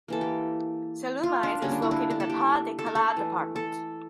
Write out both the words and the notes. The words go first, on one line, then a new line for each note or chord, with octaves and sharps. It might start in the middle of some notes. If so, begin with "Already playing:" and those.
Sallaumines is located in the Pas-de-Calais department.
E3 A#3 A4
G4
F4
D4
D3 G3 A#3 C#4
D4
E4
D4
D4
A4
G4
A4
A#4
A4
E3 A3
A4